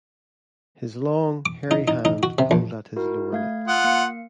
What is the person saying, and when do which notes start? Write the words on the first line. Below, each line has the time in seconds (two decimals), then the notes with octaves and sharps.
His long hairy hand pulled at his lower lip.
1.46 D6
1.71 D#4
1.88 D#4
2.05 D#4
2.23 F#4
2.39 C3
2.51 A#1
2.96 E4 F#4 A#4
3.33 A3 F5 G#6
3.68 F4 F#5 D#6 F#6
3.84 A#3 F5 C#7